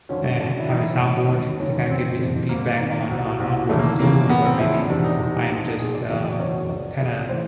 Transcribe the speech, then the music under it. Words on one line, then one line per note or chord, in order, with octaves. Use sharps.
eh having a sound board to kinda give me some feedback on on on what to do and where maybe I am just, um, kinda,
G#1 F#2 D3 F3 C#4
G#1 F#2 D3 F3 D4
E4
A1 A2 E3 D#4
E4
C#4
A1 A2 E3
E1 D#2 D#3
E1 D#2 D#3 C#4
F#1 F2 C3 E3 C4
F#1 F2 C3 E3
G#1 G#2 D#3 A#3
G#1 G#2 D#3
C2 B2
C2 B2
E1 D#2 C#3 E3 A3
A#3
E1 D#2 C#3 E3 A#3
E2 C#3 F3 B3
C4
E2 C#3 F3 E4
D4
E1 E2 C3 D4
D#4
E1 E2 C3
B1 A#2 F3
B1 A#2 F3 G#4
D5
F#1 E2 B2 D#5
D5
F#1 E2 B2 C#5
C#2 C#3 F3 D5
C#2 C#3 F3 D5
A2 E3 C5